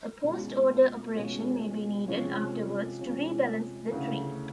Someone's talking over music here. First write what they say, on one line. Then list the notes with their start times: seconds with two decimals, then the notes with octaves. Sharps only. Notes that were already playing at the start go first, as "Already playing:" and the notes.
A post-order operation may be needed afterwards to re-balance the tree.
0.24 B2 G#3 C#4 F4
1.15 B2 G#3 C#4 F4
2.08 C3 F3 G#3 C#4 F4
2.99 C3 F3 G#3 C#4 F4
3.91 D2 C#3 E3